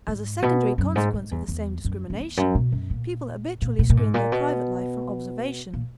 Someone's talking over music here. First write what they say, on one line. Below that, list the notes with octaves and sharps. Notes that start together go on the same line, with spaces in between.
As a secondary consequence of the same discrimination, people habitually screen their private life from observation.
G#2
B2
F#2
G#2
G#2
E2
E2
F#2
F#2
E2
F#2
B2
F#2
A#2
A#2
A#2
A#2
G#2
A#2
B2
A#2